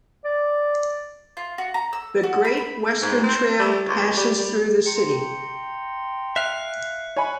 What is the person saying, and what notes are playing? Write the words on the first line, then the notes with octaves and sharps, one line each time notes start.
The Great Western Trail passes through the city.
D5
F4
F#4
A#5
E6
F#4
B5
B5
G#2
C4
G3
C#2
G3
G3
G5 A#5 C6 C#7
E5 F5 F#6
C#5 G#5 B5 C#7